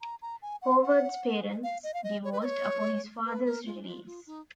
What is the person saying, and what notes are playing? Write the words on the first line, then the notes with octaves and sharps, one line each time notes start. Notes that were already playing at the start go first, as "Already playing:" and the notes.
Howard's parents divorced upon his father's release.
A#5
A#5
G#5
F#5
F#5
F5
D#5
F5
D#5
C#5
B4
D#5
C#5
B4
A#4
F4
F4
F4
D#4